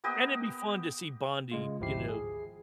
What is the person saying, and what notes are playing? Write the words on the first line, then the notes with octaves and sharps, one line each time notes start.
And it'd be fun to see Bondi, you know,
A#3 B3 G4 D#5
C#3 G#3 F4
G#1 D2 F3 E4 G4 C7
G#4